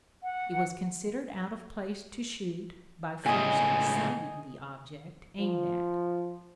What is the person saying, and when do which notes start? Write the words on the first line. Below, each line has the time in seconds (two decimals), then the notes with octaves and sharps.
It was considered out of place to shoot by first sighting the object aimed at.
0.23 F#5
3.26 C#2 A2 D#5 G#5
5.39 F3